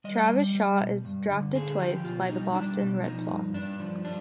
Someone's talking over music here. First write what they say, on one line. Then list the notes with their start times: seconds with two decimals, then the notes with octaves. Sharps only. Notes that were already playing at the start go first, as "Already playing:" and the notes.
Travis Shaw is drafted twice by the Boston Red Sox.
0.04 G3 D#5
0.30 G3
0.55 G3
0.80 B2
1.05 G2
1.30 D3
1.54 D3 G#4
1.79 F3 G4
2.04 B2 F4
2.29 G3 D#4
2.55 G3 D4
2.79 B2
3.04 F3 D#4
3.29 G2
3.54 G2 D4
3.79 F3
4.04 G3 D4